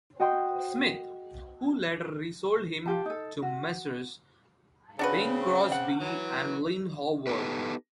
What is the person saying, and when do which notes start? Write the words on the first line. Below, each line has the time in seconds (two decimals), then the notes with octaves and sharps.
Smith, who later resold him to Messrs. Bing Crosby and Lin Howard.
0.20 F#4 D#5 G5 C6
2.86 F4 G4 A5
3.05 D#4 A4
3.42 F#4
4.99 C#3 C4 D4 F#4 B4
5.72 F#5
6.01 E3 F#3
7.27 B3 D#4 G4 A4 B4